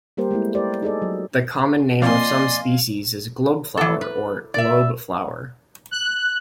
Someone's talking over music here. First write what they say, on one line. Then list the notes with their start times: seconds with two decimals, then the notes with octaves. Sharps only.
The common name of some species is globeflower or globe flower.
0.17 G3 A#3 G4 A#4 C5
0.31 G#3 A3 B3 E4
0.55 G4 A#4 C5 D5
0.82 D#4 G#4 A4 D5
1.02 F#3
2.02 F3 A#3 C4 D5 D#5 F5 G#5 C6
3.77 E3 A4
4.01 B4
4.54 D5 E5
5.91 F#6